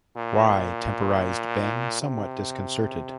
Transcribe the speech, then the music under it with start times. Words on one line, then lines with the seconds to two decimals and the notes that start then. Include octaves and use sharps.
"Why — " temporized Ben, somewhat disconcerted.
0.16 A#2
2.01 C3